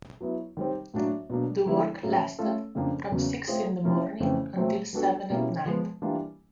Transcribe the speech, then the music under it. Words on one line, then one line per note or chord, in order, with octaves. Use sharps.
The work lasted from six in the morning until seven at night.
F#3 B3 E4
D#3 G3 C4
A2 F#3 A#3 D4 F#4
B2 F#3 A#3 D4
D3 F3 G#3 B3 E4
A2 F#3 A#3 C#4
A3 C#4 F4 A4
F2 C#3 F3 A#3 D4
E2 C#3 F#3 A#3
A3 C4 F4 G#4
C3 F3 A#3 C#4 E4
F2 C#3 E3 A3 C4
A#2 F#3 A3 C4
G3 B3 D4 F#4 A4
B2 G3 A#3 C#4 E4
F3 G#3 B3
E3 G3 A#3 D4 F4